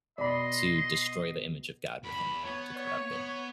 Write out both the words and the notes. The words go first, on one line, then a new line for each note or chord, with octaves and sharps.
to destroy the image of God within you, to corrupt it.
B2 D5 D#5 B5 C6
E2 B5
B3 C#5
C#5
B3